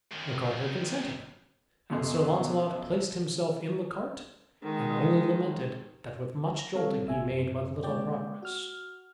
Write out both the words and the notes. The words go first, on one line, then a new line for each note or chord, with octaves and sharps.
The carter consented, and Sir Launcelot placed himself in the cart and only lamented that with much jolting he made but little progress.
F#2 D#3
F#2 B2 A3 B3 D#5 C6
D#3 G#3
A#6
G3 C4 A4 C#5 F5
G#1 B2 E5 G#5
F#2
G#3 A#3 C#5 D5 G5
F#4 F6